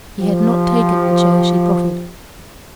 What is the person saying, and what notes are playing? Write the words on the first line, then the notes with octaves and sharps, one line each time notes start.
He had not taken the chair she preferred.
F3 G4